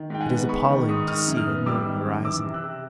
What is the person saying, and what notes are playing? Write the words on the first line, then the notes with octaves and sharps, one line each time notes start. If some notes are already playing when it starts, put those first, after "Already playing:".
It is appalling to see a new horizon.
Already playing: D#3
G#2 G5
F#5 G#5
B3
G#3 B5 C#6
D#3
G#2 C#6 D#6
D#3 D#6 F6
F#2
D#6 F6
B3
G3 D6 E6
D#3
F#2
E3 D6 E6
C3
E6 F#6
C3